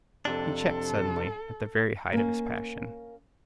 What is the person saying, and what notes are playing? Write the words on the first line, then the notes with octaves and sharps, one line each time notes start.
He checked suddenly at the very height of his passion.
F2 C3 D4 A4
A#3 C#4